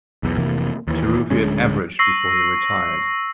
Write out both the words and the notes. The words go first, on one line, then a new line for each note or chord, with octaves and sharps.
Taruffi had averaged before he retired.
B1 E2
F1 C3 E3 A#3
D#2 E3
D1 D3 G#3 C#4
C#6 E6 A#6 C7